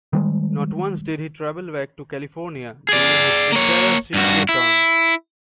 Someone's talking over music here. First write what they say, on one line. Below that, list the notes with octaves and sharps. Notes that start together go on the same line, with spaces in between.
Not once did he travel back to California during his entire six-year term.
D#3 G3 G#3
G#4 D5
A#3 C#5
G2 F#4
E4